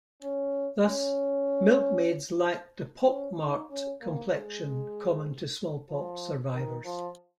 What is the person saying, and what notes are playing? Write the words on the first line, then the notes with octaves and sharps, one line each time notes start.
Thus, milkmaids lacked the "pockmarked" complexion common to smallpox survivors.
C#4
C#4
C#4
D#4
C#4
A#3
G#3
F3
D#3
F3